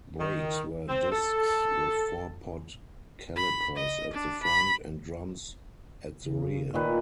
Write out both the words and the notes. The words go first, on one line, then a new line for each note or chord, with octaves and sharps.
Brakes were discs with four-pot calipers at the front, and drums at the rear.
D#3
C4
A4
B5
D#5
D4
B5
C#3
A#2 D#3 B4